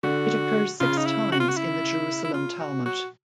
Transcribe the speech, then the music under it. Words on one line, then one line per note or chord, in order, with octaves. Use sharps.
It occurs six times in the Jerusalem Talmud.
D3 F#4
C#3 F4
D#4
E4
F#4
F4
F#4
E4
E4
F4
F#4
F#4